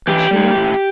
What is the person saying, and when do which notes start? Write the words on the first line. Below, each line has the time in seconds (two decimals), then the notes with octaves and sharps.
Did she not?
0.07 E3 G4
0.31 G3 D#4
0.54 A2